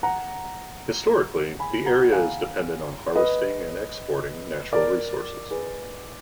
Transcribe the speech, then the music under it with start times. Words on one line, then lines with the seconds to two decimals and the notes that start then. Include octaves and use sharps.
Historically the area is dependent on harvesting and exporting natural resources.
0.03 F#5 A#5
1.59 G#5 B5
1.86 F#5 A#5
2.12 F5 G#5
3.16 B4 D#5
4.73 A#4 D5
5.51 G#4 B4